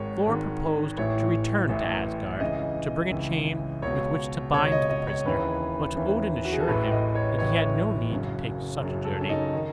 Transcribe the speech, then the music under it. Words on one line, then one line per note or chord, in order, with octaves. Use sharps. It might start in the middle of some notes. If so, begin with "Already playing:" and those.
Thor proposed to return to Asgard, to bring a chain with which to bind the prisoner; but Odin assured him that he had no need to take such a journey.
Already playing: G#1 G#2 D#3 C#5
G#1 G#2 D#3
A1 A2 E3 C#5
A1 A2 E3
C#2 C#3 E3 D#5
C#2 C#3 E3
C#2 B2 C#5
C#2 B2 C#5
C#5
D#5
D#5
C#5
D#2 C#3 E3 B4
D#2 C#3 E3
F#4
G#4
A4
A1 A2 E3 B4
D#5
C#5
A1 A2 E3 C#5
F#1 F#2 C#3
F#1 F#2 C#3
A4
C#4
D#4
D#3